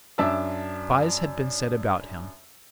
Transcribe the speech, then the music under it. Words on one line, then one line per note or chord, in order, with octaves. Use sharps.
Spies had been set about him.
F#2 D4 E5 A5 E6